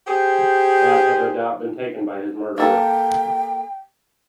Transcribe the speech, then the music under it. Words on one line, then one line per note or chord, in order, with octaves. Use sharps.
That had no doubt been taken by his murderer.
G4 G#4 C5
A#3 A4 G5